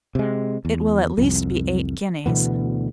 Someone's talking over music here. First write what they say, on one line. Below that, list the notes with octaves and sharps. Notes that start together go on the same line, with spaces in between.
It will at least be eight guineas.
C3 G#3
E2
C2 F2
D2 B2 E3 B3